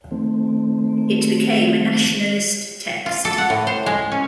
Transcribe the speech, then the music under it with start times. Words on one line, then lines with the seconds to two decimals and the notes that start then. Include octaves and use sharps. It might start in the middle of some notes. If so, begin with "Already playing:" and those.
It became a nationalist text.
0.11 D#3 A3 C4
3.06 F4
3.25 A4
3.38 F#5
3.50 A2
3.67 C5
3.86 G#3
4.12 C#4